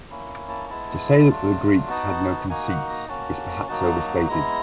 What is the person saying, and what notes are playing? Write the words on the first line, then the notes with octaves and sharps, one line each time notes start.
To say that the Greeks had no conceits, is perhaps overstated.
A#3 C#4 E4
A5
G#3 B3 E4 A5
F#3 A3 D4 F4
B3 D#4 F#4 A5
A#3 D#4 F#4 G#5
F#5
A#5
A#3 C#4 F#4 A5
F#3 A#3 D#4 F#4 A5
G#3 B3 E4 A#5